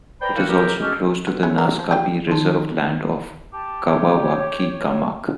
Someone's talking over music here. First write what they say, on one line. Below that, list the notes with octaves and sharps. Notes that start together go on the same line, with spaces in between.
It is also close to the Naskapi reserved land of Kawawachikamach.
B4 C5 D5 G5 A#5 B5
A#3 D4 E4 F#4 G4 A#4
E2 C#3 F#3 G4 A#4
G#3 C#4 F#4 G4 A4 F6
B3
G#3 C#4 E4
A#4
F3
G4 F5 G5
D#3 D#4 A5
G4 A5
C#5